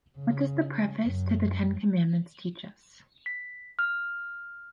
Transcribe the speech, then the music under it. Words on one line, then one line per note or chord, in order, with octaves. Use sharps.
What does the preface to the ten commandments teach us?
C#3
F#2
B6
F6